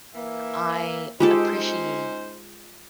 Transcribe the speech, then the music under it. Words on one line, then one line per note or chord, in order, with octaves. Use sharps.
I appreciate
E3 A#3 E5
G#3 C#4 D#4 F4 G4 A4 C5